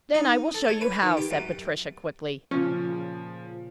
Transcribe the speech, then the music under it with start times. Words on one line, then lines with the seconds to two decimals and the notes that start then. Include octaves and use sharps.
"Then I will show you how," said Patricia, quickly.
0.14 D#4
0.54 A4
0.68 C#5
0.81 B4
1.02 D#3
1.17 G4
1.31 F#2
2.51 A#2 C#3 F3 C#4 F4 F6